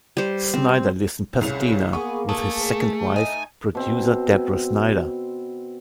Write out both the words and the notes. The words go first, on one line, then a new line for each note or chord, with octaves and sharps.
Snyder lives in Pasadena with his second wife, producer Deborah Snyder.
G3 C5
C4
C2 C#3 F7
A#3 B3 G#4 C#6
A3 G#4 A5
A3 B3 D#4 G#5
B2 C4